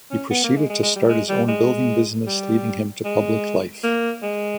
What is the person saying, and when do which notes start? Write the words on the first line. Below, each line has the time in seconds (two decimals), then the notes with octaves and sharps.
He proceeded to start his own building business leading him to public life.
0.11 C#4
0.30 B3
0.44 A#3
0.57 G#3
0.70 G#3
0.83 G#3
0.96 G3
1.09 G#3
1.29 G3
1.48 G#3
2.26 G3
3.04 G#3
3.83 A#3
4.22 G#3